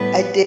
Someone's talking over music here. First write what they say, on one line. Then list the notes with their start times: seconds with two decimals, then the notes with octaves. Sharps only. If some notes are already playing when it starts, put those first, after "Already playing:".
I did
Already playing: A2 G3 B3 B4